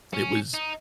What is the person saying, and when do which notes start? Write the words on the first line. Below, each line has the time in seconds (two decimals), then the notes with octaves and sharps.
it was
0.14 C#4
0.54 D#4